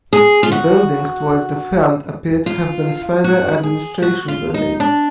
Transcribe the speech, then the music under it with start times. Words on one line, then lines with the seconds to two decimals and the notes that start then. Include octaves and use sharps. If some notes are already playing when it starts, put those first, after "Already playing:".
The buildings towards the front appear to have been further administration buildings.
0.13 G#4
0.43 F4
0.52 F#4
2.46 F4
3.24 F#4
3.63 G#4
4.02 F#4
4.28 F4
4.54 D#4
4.80 D4